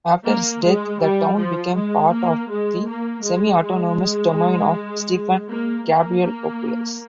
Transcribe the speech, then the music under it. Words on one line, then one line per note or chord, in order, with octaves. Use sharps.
After his death, the town became part of the semi-autonomous domain of Stephen Gabrielopoulos.
A#3
G#3
G3
F3
G#3
A#3
G#3
A#3
G#3
G#3
A#3
A#3
A#3